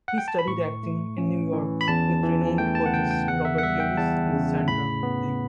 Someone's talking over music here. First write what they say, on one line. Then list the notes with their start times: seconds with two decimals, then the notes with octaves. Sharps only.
He studied acting in New York with renowned coaches Robert Lewis and Sondra Lee.
0.08 F#5
0.18 G5
0.28 A5
0.39 B5
0.48 A2 C#6
0.83 A3
1.18 C#4
1.53 E3
1.81 B5
1.88 E2 A5
2.23 E3
2.58 A3 G5
2.75 A5
2.86 F#5
2.93 C#3 G5
3.11 G5
3.28 E2 F#5
3.45 E5
3.58 F#5
3.63 G3 E5
3.80 G5
3.97 E2 A5
4.33 C#3
4.68 A2 B5
5.03 B3